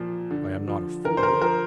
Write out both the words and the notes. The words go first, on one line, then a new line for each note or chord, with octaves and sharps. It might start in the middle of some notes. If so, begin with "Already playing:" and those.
I am not a fool.
Already playing: A#2 F3
D3
F3
D3 A#4
C5
A#4
F3 A#4